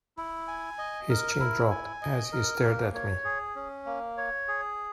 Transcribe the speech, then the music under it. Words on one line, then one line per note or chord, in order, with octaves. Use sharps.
His chin dropped as he stared at me.
E4
G#5
D#5
A#4
E4
G#5
D#5
A#4
A#3
C#5
G#4
C#4
A#3
C#5
G#4